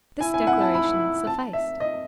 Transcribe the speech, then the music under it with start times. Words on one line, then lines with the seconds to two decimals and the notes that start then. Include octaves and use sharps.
This declaration sufficed.
0.20 E4 G#5
0.34 G#5
0.47 F#5
0.61 A5
0.74 B5
1.27 A5
1.53 E5
1.80 D#5